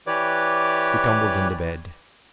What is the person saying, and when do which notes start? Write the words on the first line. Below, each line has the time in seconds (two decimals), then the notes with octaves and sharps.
We tumbled into bed.
0.07 E3 G4 B4 C#5 D5 D6